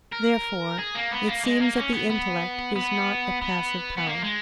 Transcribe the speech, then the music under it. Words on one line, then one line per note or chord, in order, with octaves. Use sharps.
Therefore it seems that the intellect is not a passive power.
A#4
G#4
A#3
B3
A#3
G#3
A#3
C#4
B3
B3
B3
B3
B3
A#3
G#3